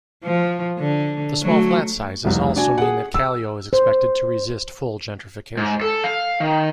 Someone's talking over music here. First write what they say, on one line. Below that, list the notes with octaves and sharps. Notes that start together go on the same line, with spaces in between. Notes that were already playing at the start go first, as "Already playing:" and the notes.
The small flat sizes also mean that Kallio is expected to resist full gentrification.
F3
D3
F#3 A3
F1 C2
D4 F#4 G#5
G#4 F#5
E6
C5
G#2
A4
F5
D#3